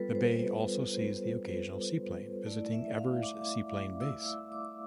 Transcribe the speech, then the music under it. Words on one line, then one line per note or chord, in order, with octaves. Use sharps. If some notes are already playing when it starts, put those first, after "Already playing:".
The bay also sees the occasional seaplane, visiting Evers Seaplane Base.
Already playing: G3 B3 F4 A4 B4
C5
C5
A3 E4 D5
E5
F5
D6
E6
E6
D6